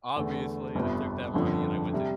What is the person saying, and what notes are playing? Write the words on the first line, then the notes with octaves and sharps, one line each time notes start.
obviously, I took that money and I went to
E2 D3 A3
G1 F2 C3 F3 B3
G1 F2 D3 F3
C3 G3